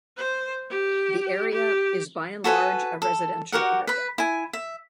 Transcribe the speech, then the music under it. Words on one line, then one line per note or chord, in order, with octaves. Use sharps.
The area is by and large a residential area.
C5
G4
G4
F#4 A4 B4 G#5
A4
F#4 G4 A#4 F#5
B4 B5
E4 G#5
E5